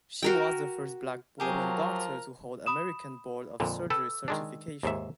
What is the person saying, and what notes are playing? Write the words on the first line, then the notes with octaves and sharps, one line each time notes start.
She was the first Black woman doctor to hold American Board of Surgery certification.
F#4 A#4 G5
F3 F#3 G4 G#4 A#4
B5 D#6 E7
F2 A#2 D3
A4 B4 G5 E6
D#3 G#3 D4
D#2 G#2 E5